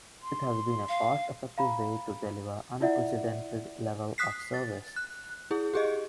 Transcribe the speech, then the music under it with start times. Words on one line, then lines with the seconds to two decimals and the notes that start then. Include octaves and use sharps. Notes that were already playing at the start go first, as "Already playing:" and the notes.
It has been a cost-effective way to deliver unprecedented level of service.
0.23 C6
0.89 F5
1.58 F5 A#5 B5
2.81 E4 F4 D5 E5 F#5
4.18 D#6 F#6 B6 C7
4.54 A6
4.96 F#6
5.51 E4 G#4
5.74 G4 G#4 D#5